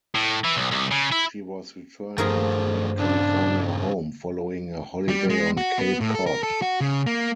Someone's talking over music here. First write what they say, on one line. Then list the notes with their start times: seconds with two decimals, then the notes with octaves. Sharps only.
She was returning to her California home following a holiday on Cape Cod.
0.15 A2
0.44 E3
0.57 B1
0.71 C2
0.91 C#3
1.12 E4
2.18 G2 D#3 F3 A3 G#4 A#4
2.99 A#2 C#3 D4
5.09 G3
5.30 G#3
5.57 F#4
5.79 B3
6.01 A2
6.15 A4
6.26 A#4
6.43 A4
6.62 F#4
6.81 C#3
7.06 A#3